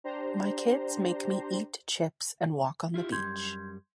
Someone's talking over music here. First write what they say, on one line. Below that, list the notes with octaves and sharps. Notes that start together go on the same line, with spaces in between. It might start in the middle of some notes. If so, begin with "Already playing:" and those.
My kids make me eat chips and walk on the beach.
D4 G4 C5 A#5 C6
E4 F4 G4
F#2 G3 C6 G6 G#6